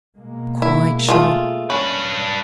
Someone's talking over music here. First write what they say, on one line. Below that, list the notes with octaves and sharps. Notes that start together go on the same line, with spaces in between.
"Quite sure."
B2 G#3 A#3
E4
A3 F4 G#4
C#4 D4 B4